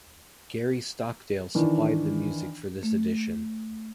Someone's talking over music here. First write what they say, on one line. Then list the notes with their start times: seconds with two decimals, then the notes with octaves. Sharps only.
Gary Stockdale supplied the music for this edition.
1.55 D#3 E3 D4
2.83 A3